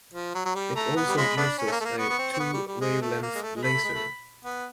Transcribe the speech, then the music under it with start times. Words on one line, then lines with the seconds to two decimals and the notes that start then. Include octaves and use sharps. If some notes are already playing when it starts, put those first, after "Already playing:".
It also uses a two-wavelength laser.
0.14 F3
0.34 F#3
0.45 F#3
0.55 G3
0.76 A3 A#5
0.96 B3
1.08 G3
1.17 C#3 F3 G#3 B5
1.37 A3 B3 D4
1.58 C#4
1.67 A3
1.72 A#3
1.81 A3
1.85 A#3
1.99 B3 C#6
2.10 B3
2.19 C4
2.33 C4
2.40 B3
2.54 G3
2.67 G3
2.81 G#3
3.01 A3
3.22 A#3
3.35 G#3
3.42 A3
3.56 G#3
3.63 A3 B5
3.73 A3
3.84 G#3
3.94 A3
4.45 B3